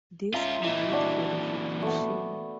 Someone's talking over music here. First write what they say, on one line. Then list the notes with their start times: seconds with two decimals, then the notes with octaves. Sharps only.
These await verification.
0.34 C#4 F4 E5 A#5 D#6
0.64 A#2 E3 D#5 E5 G5
0.92 D4 F#4
1.82 A3 B3